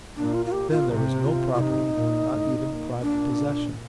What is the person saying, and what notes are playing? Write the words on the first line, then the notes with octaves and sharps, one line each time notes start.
Then there was no property, not even private possession.
A#2 D4
F4
F4
G4
F4
C3
F4
F4
C3 D#4
A#2
A2
A#2
D4